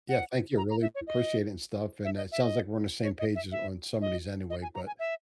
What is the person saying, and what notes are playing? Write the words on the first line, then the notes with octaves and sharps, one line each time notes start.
Yeah, thank you, really 'preciate and stuff, and, uh, it sounds like we're on the same page as on some of these anyway, but,
F#5
A#5
A#5
E5
C#5
D#5
E5
D#5
E5
D#5
C#5
D#5
E5
E5
D#5
D#5
G#5
A#5
G#5
E5